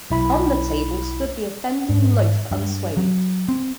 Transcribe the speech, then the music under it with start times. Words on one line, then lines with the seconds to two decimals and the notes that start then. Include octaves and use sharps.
On the table stood the offending loaf unswathed.
0.10 B1 E4 B5
1.90 G#2
2.51 G2
2.97 F#3
3.49 C4